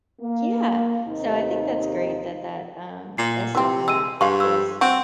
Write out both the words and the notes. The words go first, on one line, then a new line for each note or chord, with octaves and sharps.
Yeah, so I think that's great that that, um, is something that is
A#3
D#2 C3 D#4
A#2 C7
C3 E3 C4
G#3 E6 D#7
G2 G#3 F5 C6 C#6
E6
C4 F#4